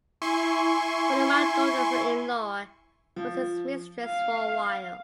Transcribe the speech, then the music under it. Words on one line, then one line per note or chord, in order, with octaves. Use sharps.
One of my daughters-in-law was his mistress for a while.
E4 G#5 C6 C#6
F3
F5